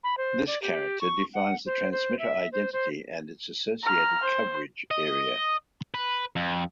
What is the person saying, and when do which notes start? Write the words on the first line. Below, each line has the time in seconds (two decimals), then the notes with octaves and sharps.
This character defines the transmitter identity and its associated coverage area.
0.04 B5
0.17 C5
0.47 D5
0.62 G4
1.01 C#6
1.34 F#5
1.66 C5
1.92 C5
2.19 E5
2.52 C5
2.73 C5
3.83 A#5 F6
4.23 C5
4.91 D#5
5.94 B4
6.36 F2